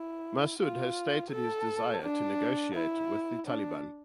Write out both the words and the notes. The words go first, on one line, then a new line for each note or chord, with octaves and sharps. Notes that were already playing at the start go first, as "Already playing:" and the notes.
Massoud has stated his desire to negotiate with the Taliban.
Already playing: E4
F4
A4
D4
E4
D4